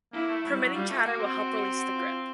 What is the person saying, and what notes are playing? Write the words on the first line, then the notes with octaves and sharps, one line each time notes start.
Permitting chatter will help release the grip.
A#3 E4
A3
F#3
G3
F#3
G3 F4
A3
A#3 F#4
C4
F#4
F4